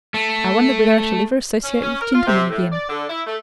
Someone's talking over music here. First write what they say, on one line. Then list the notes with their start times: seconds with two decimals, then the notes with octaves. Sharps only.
I wonder whether I shall ever associate with gentlemen again?
0.14 A3
1.63 C#4
1.82 C#4
2.01 A#4
2.13 F4
2.27 C3
2.50 A2
2.72 D5
2.89 D3
3.09 E4
3.26 A3